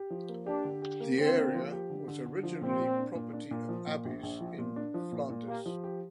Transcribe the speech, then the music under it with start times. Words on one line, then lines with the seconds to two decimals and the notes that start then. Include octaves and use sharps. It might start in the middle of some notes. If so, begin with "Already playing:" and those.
The area was originally property of abbeys in Flanders.
Already playing: G4
0.10 F3
0.29 A#3
0.46 D4 G4
0.65 D3
0.82 G4
1.00 A#3
1.18 D3 C4
1.36 A#3
1.54 F3
1.72 G4
1.90 D3
2.08 D3
2.26 D3
2.43 F3
2.61 A#2 C4
2.79 A#2
2.97 D4
3.15 A#2
3.33 D4
3.51 A#2
3.69 F3
3.87 A#2
4.05 A#1
4.23 A#1
4.41 F3
4.58 A#2
4.76 D4
4.94 F3
5.12 A#2
5.30 A#2
5.48 A#3 G4
5.66 F3
5.84 G4